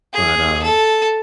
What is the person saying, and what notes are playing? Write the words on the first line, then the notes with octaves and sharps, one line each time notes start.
but, uh
G#4
A4